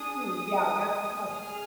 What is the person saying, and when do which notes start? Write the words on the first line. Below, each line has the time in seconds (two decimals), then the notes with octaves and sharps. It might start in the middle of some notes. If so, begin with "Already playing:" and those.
"Ooh, yeah, that's the muscle."
Already playing: D4 G#4 D#6
1.33 G#4 F6